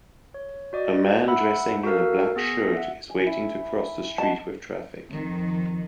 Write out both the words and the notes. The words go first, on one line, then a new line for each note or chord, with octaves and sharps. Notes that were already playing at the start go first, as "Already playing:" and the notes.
A man dressing in a black shirt is waiting to cross the street with traffic.
C#5
F#4 D5 D#5
E5 F#5 B5 E6
F#4 A4 A#4 F5
B3 G#4 A#6 B6
E5 F#5
G#5
E4
F#4 D#5 A5
F2 D#3